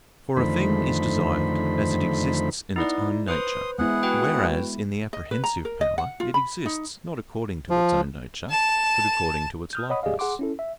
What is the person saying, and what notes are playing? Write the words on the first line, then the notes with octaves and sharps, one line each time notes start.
For a thing is desired as it exists in its own nature, whereas in the apprehensive power it exists not according to its own nature, but according to its likeness.
F2 D3 D#3 A3 C5 B5
B3 D#4 E4 D5
B4 C5 C6 D#6
G#3 B3 E4 G#4 F#5
F#4 B4 G5
D#5
B4
A#5
A#4
D#5
F#5
F4
B5
D#4
F3
A5 E7
D#6 F6 G6
C#5 D#5 F#5 B5 D#6
G4 G#4 D5 D#5 F5
G#4 F#5 C6 D6
C#4 E4 A4
E5